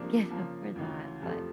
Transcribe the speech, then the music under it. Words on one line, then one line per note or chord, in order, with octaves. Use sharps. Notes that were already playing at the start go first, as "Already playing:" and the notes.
get over that," but
Already playing: C3 F3 A#3 D4
C#3 F3 A#3
D2 C#3 E3
F2 C3 F3 A3